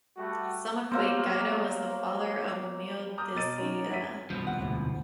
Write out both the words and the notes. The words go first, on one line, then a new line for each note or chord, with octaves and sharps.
Some equate Guido as the father of Meo di Siena.
G3 A3 F#4 G4 F#5
F#3 A#3 B3 C5
A#5 D6 D#6 F6 G6
B2 D#5 A6 D#7
C#4 D#4 F#4 C#5 A#5
G2 C#5 E5 F#5 B6 D#7
C2 G2 B2 F3
D#2 F#5
E1 D2 A2 C3